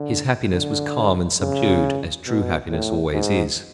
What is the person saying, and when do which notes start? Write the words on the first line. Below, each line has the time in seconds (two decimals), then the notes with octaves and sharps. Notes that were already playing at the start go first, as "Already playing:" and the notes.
His happiness was calm and subdued, as true happiness always is.
Already playing: D3
0.53 D3
1.40 C#3
2.26 B2
2.70 A2
3.13 G#2